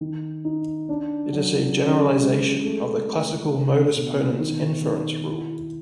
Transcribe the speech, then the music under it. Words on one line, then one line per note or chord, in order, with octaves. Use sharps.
It is a generalisation of the classical modus ponens inference rule.
D#3
D#4
D4
F#3
C#4
G#3
A3
A3
D4
B2
D#3
D#3
E4